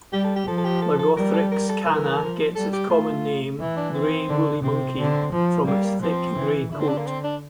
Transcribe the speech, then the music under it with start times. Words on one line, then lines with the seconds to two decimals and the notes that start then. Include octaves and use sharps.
"Lagothrix cana" gets its common name, gray woolly monkey, from its thick gray coat.
0.13 G3 G4
0.24 A4
0.36 G4
0.47 F3 A4
0.58 A4
0.65 G4
0.82 A4
0.99 A4
1.16 G3 A#4
1.34 A4
1.52 A#4
1.69 A4
1.86 E3 A#4
2.21 F3
2.55 G3 A4
2.73 G4
2.90 A3 F4
3.60 E3 E4
3.77 D4
3.94 C4
4.29 D3
4.64 C3 C4
4.98 D3
5.33 F3
5.67 G3 A#3
5.84 A#3
6.02 F3 C4
6.37 E3
6.72 D3 E4
6.80 C4
6.89 D4
6.98 A#3
7.06 C4
7.24 D4